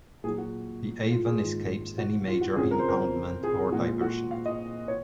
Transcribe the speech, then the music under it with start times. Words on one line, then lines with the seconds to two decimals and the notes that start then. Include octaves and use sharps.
The Avon escapes any major impoundment or diversion.
0.24 A#2 G#4
0.28 F#3
0.38 F#4
1.11 F4
1.25 G#4
1.40 G#2 D#3 G#3 F4
1.98 F#4
2.28 F4
2.41 F#4
2.56 F2 C#3 F3 G#4
2.71 A#4
2.79 C5
2.89 A#4
3.43 G#4
3.72 A#2 F3 G#3 F#4
3.87 F4
4.01 F#4
4.31 F5
4.46 D#5
4.88 C#5